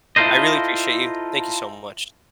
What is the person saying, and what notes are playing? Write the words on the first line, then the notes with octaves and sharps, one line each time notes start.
I really appreciate you, thank you so much.
E4 F4 A4 A#4 C5 D#5